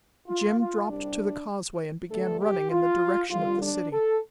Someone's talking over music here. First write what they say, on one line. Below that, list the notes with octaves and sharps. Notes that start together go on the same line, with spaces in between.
Jim dropped to the causeway and began running in the direction of the city.
F4
F4
C2 C3 G3 D4
G2 D3 A3 A4
G4
F4
F2 D3 G3 F4
D4
A4